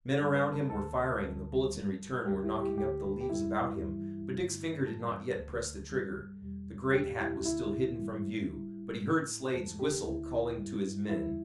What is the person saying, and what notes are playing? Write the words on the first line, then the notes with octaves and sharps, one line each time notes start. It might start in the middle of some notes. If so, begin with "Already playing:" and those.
Men around him were firing, and the bullets in return were knocking up the leaves about him, but Dick's finger did not yet press the trigger. The great hat was still hidden from view, but he heard Slade's whistle calling to his men.
G2 G3 A4
B4
A4
D2 D3 A3 A4
D2 D3 G3
G2 G3
D2 D3 G3 G4
E4
G4
D2 D3 A3 G4
B4
A4
G4
E2 B2 G3 E4
G2 E3 G3
G2 D3 A3
G2 E3 G3 A4
D2 D3 A3
G2 G3
E2 B2 G3
E2 B2 A3 G4
E4
D2 D3 A3 E4
G2 E3 G3
A2 G3
A2 A3
E2 E3 A3 A4
G4
D2 D3 A3 E4
G2 G3
E2 E3 G3 E4